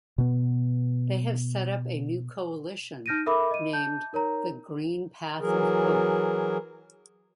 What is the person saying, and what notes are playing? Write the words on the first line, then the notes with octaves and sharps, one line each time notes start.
They have set up a new coalition, named The Green Path of Hope.
B2 B3
D#4 F6 G6 A#6 D7 D#7
A4 A#4 E5 B5 D6
D#5 D#7
A5 G6
D#4 A#4 C#5 A#5
E3 F#3 G#4 A#4